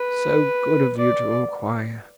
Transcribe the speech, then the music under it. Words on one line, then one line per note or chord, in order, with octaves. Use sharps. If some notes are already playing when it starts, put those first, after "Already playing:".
So good of you to inquire!
Already playing: B4
D5